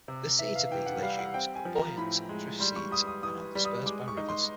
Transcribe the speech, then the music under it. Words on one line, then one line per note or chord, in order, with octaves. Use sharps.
The seeds of these legumes are buoyant drift seeds, and are dispersed by rivers.
C3
E3 E5
F5
E3 G5
F#5
G3 F5
F#5
C4 G5
G#5
F3
A#5
A2 B5
G#3
G3 C6
C#6
G3 D#6
D#6
E3 D#6
G3
D#6
G#3 D6
C#6
D#4
C6